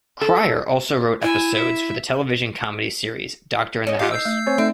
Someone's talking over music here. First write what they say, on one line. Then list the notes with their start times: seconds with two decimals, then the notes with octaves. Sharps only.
Cryer also wrote episodes for the television comedy series "Doctor in the House".
0.21 A4
1.22 E4 G#5 E6
1.55 E5
3.87 C#4 D#5
3.99 D#4 F4 G4 F5
4.12 E6 G6 C7
4.25 A3
4.46 C4 C5 C#5 G#5
4.58 A3 C4 D#4 D5 E5